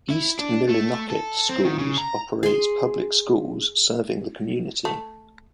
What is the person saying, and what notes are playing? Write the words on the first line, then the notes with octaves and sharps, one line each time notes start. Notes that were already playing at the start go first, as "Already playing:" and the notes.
East Millinocket Schools operates public schools serving the community.
E4
D4
A3
A4
C4
D#3
C#3
A#5
G#4 C6
A3